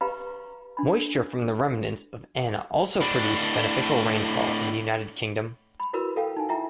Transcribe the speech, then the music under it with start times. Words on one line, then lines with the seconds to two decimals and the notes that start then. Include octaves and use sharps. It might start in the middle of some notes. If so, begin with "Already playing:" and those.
Moisture from the remnants of Ana also produced beneficial rainfall in the United Kingdom.
0.01 G4 B4 F5 A#5 B5
0.77 D4 B5
3.01 A2 D4
5.80 B5
5.93 E4 F#4 A#4 B4 E6
6.16 A4 F5 G5
6.37 D#4 G#5
6.49 E4 F4 E5 G5 A#5